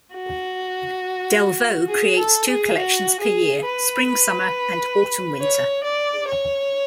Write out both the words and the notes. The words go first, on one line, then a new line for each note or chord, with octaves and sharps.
Delvaux creates two collections per year, Spring-Summer and Autumn-Winter.
F#4
G#4
A4
G#4
F#4
G#4
B4
C#5
D5
C#5